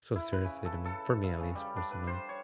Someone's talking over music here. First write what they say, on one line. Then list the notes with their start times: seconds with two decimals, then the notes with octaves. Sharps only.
so seriously to me for me, at least, personally.
0.16 E4
0.32 B4
0.44 C#3
0.65 A4
0.85 A4
1.24 F5
1.39 C#3
1.55 G3
1.76 D4
1.91 B4
2.07 C5
2.29 C#5